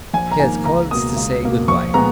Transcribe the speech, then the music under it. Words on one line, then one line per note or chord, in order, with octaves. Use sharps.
She had called to say good-by.
A#1 G#5
A#5
G#2 D#3 A#3 G#5
C#2 A#5
B2 A#3 D#6
C#2
B2 A#3
A#1 C#6
A#2 G#3 B3 A#5